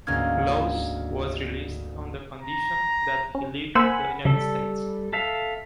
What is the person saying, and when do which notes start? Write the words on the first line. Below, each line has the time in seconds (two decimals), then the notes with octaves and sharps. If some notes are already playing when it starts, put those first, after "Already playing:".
Laws was released on the condition that he leave the United States.
0.07 D2 G#2 A#3 C#4 F6 G#6
2.42 A#5
3.35 C#4
3.75 A#3 C5 F#5 G#5 B5 E6
4.25 C#3 G3 A4
5.13 A4 E5 F5